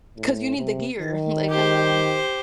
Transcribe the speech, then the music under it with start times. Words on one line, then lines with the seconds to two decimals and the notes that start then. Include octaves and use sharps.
'cause you need the gear, like, "Hello."
0.18 A2
0.58 C3
1.01 D#3
1.50 G4 C5